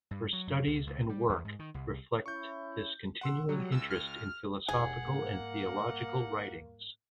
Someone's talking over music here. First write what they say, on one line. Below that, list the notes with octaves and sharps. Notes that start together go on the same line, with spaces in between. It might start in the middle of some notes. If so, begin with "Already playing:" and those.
Her studies and work reflect this continuing interest in philosophical and theological writings.
G2
F#3
F#2
C#2
C#2
G3
E2
G#2
D#3
C2
C#4 E4 C#6 G6
F#5 C6 E6
F#3 G3
C#2 E6
F6
E1 D#2 G#4 F#5
G#2 G3 A#3